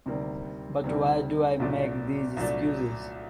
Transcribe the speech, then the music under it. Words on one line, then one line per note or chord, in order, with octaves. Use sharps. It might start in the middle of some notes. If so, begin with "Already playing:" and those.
But why do I make these excuses?
D2 C3 D#3 G3 A#3
D2 C3 D#3 G3 A#3
C2 A#2 F#3 A3 D4
C2 A#2 F#3 A3 D4